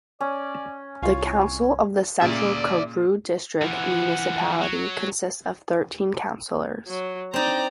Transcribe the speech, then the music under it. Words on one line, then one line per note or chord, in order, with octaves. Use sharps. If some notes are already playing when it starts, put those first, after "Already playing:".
The council of the Central Karoo District Municipality consists of thirteen councillors.
C#4 D5
C2 F4 C#5 F5 G#5
A#2 C#3 D5 E5
E3 F3 F#5
F#3
F#3
C4 D#4 D5 A#5